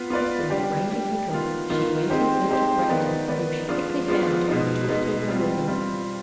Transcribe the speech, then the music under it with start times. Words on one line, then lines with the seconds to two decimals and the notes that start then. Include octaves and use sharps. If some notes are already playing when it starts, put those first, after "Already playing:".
Hastily arranging her dress, she went in search of Brandon, whom she quickly found and took to her room.
Already playing: B3 F4 B4
0.10 B3 F4 B4 D5
0.50 G3 D4 G4
0.90 G3 D4 G4
1.29 D#3 B3 F4
1.70 D#3 B3 F4
2.09 G#3 C4 D#4 G4 C5
2.49 G#3 C4 D#4 G4 C5
2.89 D#3 B3 D#4 B4 D5
3.28 D#3 B3 D#4 B4 D5
3.69 F3 G#3 B3 D4 F4
4.08 F3 G#3 B3 D4 F4
4.48 B2 G#3 B3 D#4
4.88 B2 G#3 B3 D#4
5.28 G3 C4 F4
5.67 G3 C4 F4